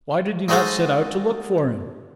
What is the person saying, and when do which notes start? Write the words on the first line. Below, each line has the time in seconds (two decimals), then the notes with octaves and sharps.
Why did you not set out to look for him?
0.48 G#3 D#4 F#4 A4 C5 F#5